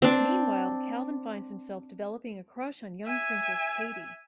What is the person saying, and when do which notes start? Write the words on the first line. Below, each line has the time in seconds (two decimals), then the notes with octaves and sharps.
Meanwhile, Calvin finds himself developing a crush on young Princess Katey.
0.02 C4 D4
3.06 E5 G#5